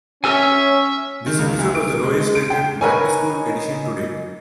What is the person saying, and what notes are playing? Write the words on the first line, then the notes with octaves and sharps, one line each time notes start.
This episode was the lowest rated "Back to School" edition to-date.
C#4 C#5 E5 G#5 E6 F6
D#3
C#2
D2
D7
G#3
G#3
D7
G5
D#4 A#4 B4 C#5 G#5